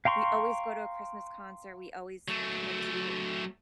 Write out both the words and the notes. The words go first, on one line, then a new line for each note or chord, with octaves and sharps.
we always go to a Christmas concert, we always kinda do
F5 G5 A#5 C6 C#6
F#3 A3